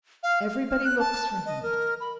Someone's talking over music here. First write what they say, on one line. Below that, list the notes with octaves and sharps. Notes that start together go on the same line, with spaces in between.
Everybody looks for him.
F5
F5
F6
F#6
A5
D#5
A#4
B5